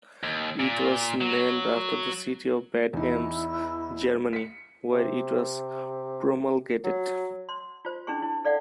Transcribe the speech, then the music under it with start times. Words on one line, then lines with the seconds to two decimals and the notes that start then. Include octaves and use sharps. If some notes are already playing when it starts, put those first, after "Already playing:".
It was named after the city of Bad Ems, Germany, where it was promulgated.
0.23 D#2
0.60 A#2
1.21 F#3
2.93 E2 D#4 E4
4.33 B6 C#7
4.93 C3
6.84 F#3
7.49 C6
7.85 F4 C5
8.07 C#4 D4 E4 G#4 C#6
8.22 E4
8.45 A4 D5 F5 F#5